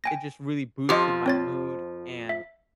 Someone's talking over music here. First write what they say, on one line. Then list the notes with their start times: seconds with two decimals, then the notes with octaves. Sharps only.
It just really boosted my mood, and
0.04 G5 G#5 A#6
0.89 F2 F3 G4 D#5
1.26 C4 C#5 A6
2.29 E5